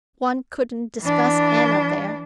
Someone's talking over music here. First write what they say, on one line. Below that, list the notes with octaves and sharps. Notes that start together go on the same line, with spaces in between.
One couldn't discuss Anna there.
E3 D4